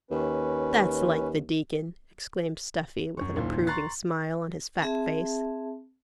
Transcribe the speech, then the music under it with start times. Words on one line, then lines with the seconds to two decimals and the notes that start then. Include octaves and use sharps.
'That's like the Deacon!' exclaimed Stuffy, with an approving smile on his fat face.
0.11 D#2 C#4 B4
3.17 F#2 C#6
3.36 F#1 D#2 A#2
3.67 A#5 C6 C#6 F#6 A6 C7
4.81 C4 G#4 E5 A5